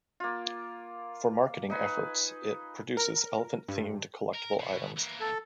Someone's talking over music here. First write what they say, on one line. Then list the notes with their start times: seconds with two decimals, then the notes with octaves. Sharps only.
For marketing efforts it produces elephant-themed collectible items.
0.20 A#3 F4
1.70 D#4 B4 G#5
2.97 A#4
3.68 G2
4.34 A#4
4.59 B2
4.97 E3 A#3
5.21 A4